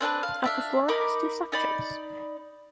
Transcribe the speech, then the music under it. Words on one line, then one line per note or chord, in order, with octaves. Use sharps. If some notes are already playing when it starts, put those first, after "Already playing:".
Upper floor has two sections.
C4 D4 A4 B4
F5
D4 E5 F5
D#4 A#4 B5 D6
D#4 D5 B5